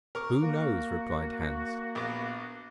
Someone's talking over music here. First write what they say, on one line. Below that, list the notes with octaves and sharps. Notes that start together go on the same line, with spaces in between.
'Who knows?' replied Hans.
A#4 C#6 D6
A#3 F#4
A#1 B3 D6